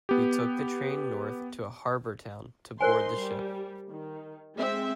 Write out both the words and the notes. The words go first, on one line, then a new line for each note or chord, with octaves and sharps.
We took the train north to a harbor town to board the ship.
B3 G4
D#4 A#4 C5 G#5 C6
G3
D#3
G#3 C4 E5